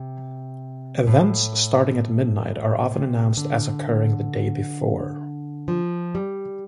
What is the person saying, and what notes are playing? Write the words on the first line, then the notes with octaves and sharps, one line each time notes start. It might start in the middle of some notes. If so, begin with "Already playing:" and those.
Events starting at midnight are often announced as occurring the day before.
Already playing: C3
A2
C3
D3
F3
G3